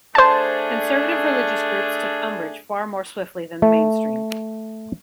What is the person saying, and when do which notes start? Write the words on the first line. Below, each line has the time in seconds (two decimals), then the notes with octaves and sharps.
Conservative religious groups took umbrage far more swiftly than the mainstream.
0.15 A3 D4 G#4 C5 A5
3.62 A3